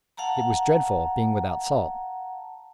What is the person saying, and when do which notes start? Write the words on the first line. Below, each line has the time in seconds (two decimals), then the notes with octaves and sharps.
It was dreadful, being without salt.
0.17 F5 F#5 A5 A#5